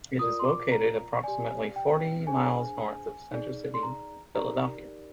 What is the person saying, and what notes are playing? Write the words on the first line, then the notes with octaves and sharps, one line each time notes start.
It is located approximately forty miles north of Center City, Philadelphia.
F4 A#4 D5 D#6
C6
D6
A#5
G4 D5 G#5
G5
D4 G#4 C5 G#5
D#4 G#4 D5
C6
A#5
D#4 G4 A#4 D5 A#5